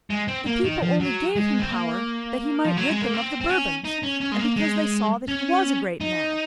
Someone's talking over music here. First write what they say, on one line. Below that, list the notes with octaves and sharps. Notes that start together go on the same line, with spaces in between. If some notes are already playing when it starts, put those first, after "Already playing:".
The people only gave him power that he might rid them of the Bourbons and because they saw that he was a great man.
G#3
C4
A#3
D#3
F3
F#3
G#3
C4
A#3
F3
F#3
G#3
A#3
C4
C4
C#4
D#4
C#4
C#4
G#3
A#3
G#3
C#4
D#4